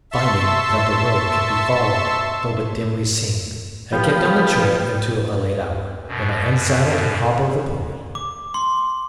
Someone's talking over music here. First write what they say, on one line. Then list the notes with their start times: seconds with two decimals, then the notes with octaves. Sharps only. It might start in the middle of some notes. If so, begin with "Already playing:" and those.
Finding that the road could be followed, though but dimly seen, I kept on the trail until a late hour, when I unsaddled and hobbled the pony.
0.11 E5 A5 C6 C#6 E6
3.92 F3 B3 G4
6.07 F#2 B2
8.15 D6
8.54 C6